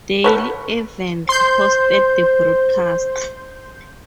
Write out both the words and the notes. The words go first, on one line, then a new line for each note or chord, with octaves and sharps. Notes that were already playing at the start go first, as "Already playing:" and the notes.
Dale Evans hosted the broadcast.
A4 B4 C#5
C5 C6 G6